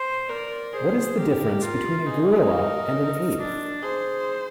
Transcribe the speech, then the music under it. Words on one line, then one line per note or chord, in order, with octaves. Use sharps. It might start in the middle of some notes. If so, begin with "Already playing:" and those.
What is the difference between a gorilla and an ape?
Already playing: C5
A#4 D5
G#4 C5
G4 A#4
F4 A#4
D#4 G#4
A#4
D4
G#4 C5